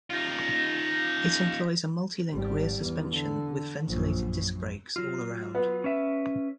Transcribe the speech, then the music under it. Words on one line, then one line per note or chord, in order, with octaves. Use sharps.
It employs a multilink rear suspension with ventilated disc brakes all around.
D#4 F4
G#1 G3
E2
D3
A#1 F#2
F#2
F#3 F4
B3
C#4 B4 E5